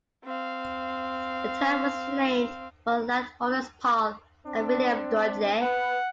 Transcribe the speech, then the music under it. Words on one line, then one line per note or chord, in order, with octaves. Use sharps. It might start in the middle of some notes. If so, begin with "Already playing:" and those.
The town was named for landholders Paul and William Dudley.
C4 F5
C4 D4
B4 F#5